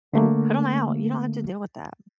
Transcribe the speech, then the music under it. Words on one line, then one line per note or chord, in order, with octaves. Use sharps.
An put 'em out, you don't have to deal with that.
D3 A3 A#3